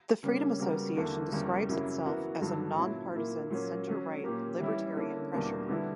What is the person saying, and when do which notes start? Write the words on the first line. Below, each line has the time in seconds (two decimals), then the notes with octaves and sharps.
The Freedom Association describes itself as "a non-partisan, centre-right, libertarian pressure group".
0.23 C#3 G3 A#3 C#4
0.59 C#3 G3 B3 F#4 A#4
0.96 E2 D3 A#3
1.32 E2 C#3 G3 A#3
1.69 F#2 C#3 F#3 A#3 E4
2.05 E3 B3 F#4 A#4
2.42 G2 D3 F#3
2.78 A#2 F#3 C#4 E4
3.14 A#2 A#3 E4
3.50 A#2 F#3 A#3 C#4
3.87 F#3 C#4 F#4
4.24 A#2 A#3 C#4 G4 A#4
4.60 E3 G3 C#4 E4
4.97 D3 A#3 C#4 E4
5.33 E2 B2 G3 A#3 D4
5.69 D3 G3 B3 E4